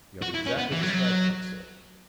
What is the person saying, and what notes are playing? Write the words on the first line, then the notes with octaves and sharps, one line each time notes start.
"You have exactly described her," I said.
F#4
E4
C#4
B3
E3
F#3
G3
F#3